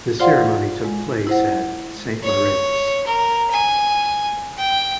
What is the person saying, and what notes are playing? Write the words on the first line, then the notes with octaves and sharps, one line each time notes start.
The ceremony took place at Saint Moriz.
F4 C5 D5 F5 F#5 C6
G#3
E4 C5 F#5
C#5
A#4
G#5
G5